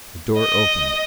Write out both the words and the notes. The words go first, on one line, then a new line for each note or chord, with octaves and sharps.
The door opened.
D#5